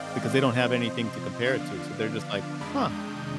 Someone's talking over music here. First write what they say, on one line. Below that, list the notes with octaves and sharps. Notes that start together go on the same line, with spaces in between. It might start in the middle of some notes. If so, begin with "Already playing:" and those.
because they don't have anything to compare it to, so they're just, like, "Huh."
Already playing: G#2 D#3 G#3 C4 D5 D#5 F5 G5
C3 F3 C4 C5 D#5
C5 D#5
D3 F3 B3 D4 D5 F5
F2 C3 D#3 G#3 D4 B5 D6
D#6 G6